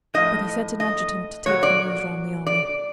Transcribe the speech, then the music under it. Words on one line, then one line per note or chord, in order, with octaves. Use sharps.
But he sent an adjutant to take the news round the army.
A2 F3 D#5
D#5
A#2 F#3 C#5
D5
D5